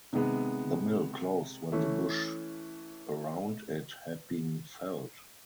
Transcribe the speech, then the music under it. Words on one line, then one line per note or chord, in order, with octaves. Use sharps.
The mill closed when the bush around it had been felled.
C3 D#3 G#3 B3
E3 A3 C#4